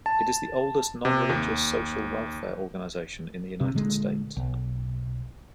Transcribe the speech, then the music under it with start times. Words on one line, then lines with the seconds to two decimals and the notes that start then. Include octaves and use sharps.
It is the oldest non-religious social welfare organization in the United States.
0.06 A5
1.05 C3
1.29 D#2
3.61 C3
3.74 A#2 D3 G#3
4.37 B1